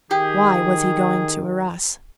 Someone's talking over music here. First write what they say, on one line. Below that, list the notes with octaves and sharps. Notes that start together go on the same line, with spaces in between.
Why was he going to Arras?
D#3 G4 G#4